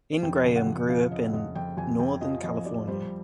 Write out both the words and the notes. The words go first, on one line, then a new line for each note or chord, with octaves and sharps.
Ingraham grew up in Northern California.
F2 G5
C#3
F#5
F2
F3 F5
C#3 D#5
F2 D#5
F2 G5
F2 G#5
F2 G5
F3 D#5
F2 D#5
F3 D5
G3 C5